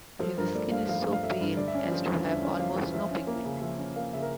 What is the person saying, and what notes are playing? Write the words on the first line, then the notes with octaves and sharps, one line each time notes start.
His skin is so pale as to have almost no pigment.
F3 A4
G2 A#4
A3 D5
G2 F5
F3 F5
G2
F5
A3 E5
G2
D3 D5
E5
C#4 D5
F3
E2
D3 E5
C#4
F3 F5
E2
F3 E5
C#4
A#3
C#3
F3 E5
C#4
A#3 F5
C#3 E5
A#4